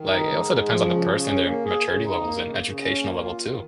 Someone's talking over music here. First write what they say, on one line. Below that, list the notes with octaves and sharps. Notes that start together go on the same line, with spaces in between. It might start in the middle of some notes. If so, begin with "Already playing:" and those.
Like, it also depends on the person, their maturity levels and educational level, too.
Already playing: D#3
D#4
G#2
G#3
F3
C#3
C#3
C#4
A#3
G#4
C#3
D#4
A#3
C#3
C#3
C#4
A#3
F4
D#3